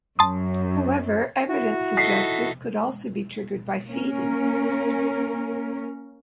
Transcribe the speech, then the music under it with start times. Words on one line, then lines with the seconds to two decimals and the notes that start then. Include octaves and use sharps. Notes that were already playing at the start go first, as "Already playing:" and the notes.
However, evidence suggests this could also be triggered by feeding.
0.19 F#2 A5 C6 D#6
1.48 E4 F#4
1.97 D#4 A4 B6 C7
3.88 A#3 C#4 A#4